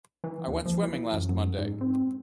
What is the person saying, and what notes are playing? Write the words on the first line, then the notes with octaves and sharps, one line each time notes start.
I went swimming last Monday.
E3
D#2
F3
E3
F#2
F#2
G#2
C4